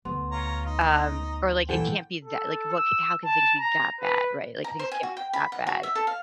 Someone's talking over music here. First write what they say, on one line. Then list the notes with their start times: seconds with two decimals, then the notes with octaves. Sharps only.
Um, or like, it can't be that like, what how can things be that bad? Right? Like, things can't be that bad.
0.05 D2 B3 C6
0.31 F4 C#5 A#5
0.65 D#4
1.69 A#2 E3 A4 F#5 G5 A5 C#7
2.25 A4
2.72 E6
3.25 A5
3.60 A#5
4.01 B4
4.64 A#5
4.79 C5
4.92 G#5
5.03 F#4
5.17 G5
5.33 B5
5.52 F#5
5.67 F#4
5.83 E5
5.95 A4
6.07 F5